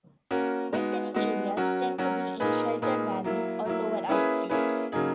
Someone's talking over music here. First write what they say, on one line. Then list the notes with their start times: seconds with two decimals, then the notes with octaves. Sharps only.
Wintering areas tend to be in sheltered valleys or lower altitudes.
0.31 A#3 C#4 F#4 A#4
0.73 G#3 B3 D#4 F#4
1.14 G#3 B3 D#4 F#4
1.57 F#3 C#4 F#4 A#4
1.98 F#3 C#4 F#4 A#4
2.40 A#2 A#3 D#4 G#4 B4
2.82 A#2 A#3 D#4 G#4 B4
3.24 F#3 A#3 E4
3.65 F#3 A#3 E4
4.08 A#3 C#4 E4 G#4 B4
4.50 A#3 C#4 E4 G#4 B4
4.92 C#3 F#3 A#3 D#4 G#4